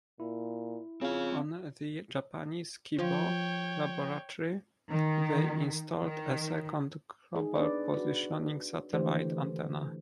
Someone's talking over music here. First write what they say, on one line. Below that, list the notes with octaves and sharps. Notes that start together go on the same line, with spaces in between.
On the Japanese "Kibo" laboratory they installed a second Global Positioning Satellite antenna.
A#2 E4
C#3 C4 F4 F5
F3 C#5 G5
D#3
D#3
D#4 G#4
D4 B4 D5
F#4 B4
D3 E3 A3 G4 C5